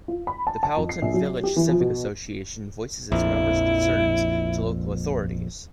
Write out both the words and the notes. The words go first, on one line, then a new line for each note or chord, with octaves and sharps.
The Powelton Village Civic Association voices its members' concerns to local authorities.
F4
B5
A5
A5
F2
C7
A#1
F#3
G4
E3
F3
B2
A#1 F2 E4